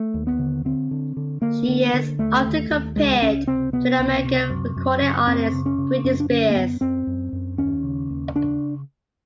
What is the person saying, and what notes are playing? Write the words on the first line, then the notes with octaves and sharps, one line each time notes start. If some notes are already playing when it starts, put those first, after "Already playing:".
She is often compared to the American recording artist Britney Spears.
Already playing: A3
D#2
B3
D3
D3 C4
D3
D3
D3 A#3
D3
D3
D#2 A3
D#2
D#2
C#2 G#3
C#2 C#4
C3 C4
C3 B3
C#2
C3
F#2
F#2
C#3
F#2 C4
C#3
C#4
C#3
F#2 C#4
D4
D3 C#4
A#3
F#2 B3
F#2 C4
F#2
F#2
D#2 C#4
C#3
D#2
C#3 D4